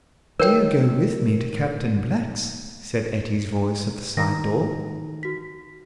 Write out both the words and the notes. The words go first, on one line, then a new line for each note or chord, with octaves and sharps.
"Do go with me to Captain Black's," said Etty's voice at the side door.
D#3 A#4 B4 C#5 G5
D#3 A#5 A#6
F#4 B6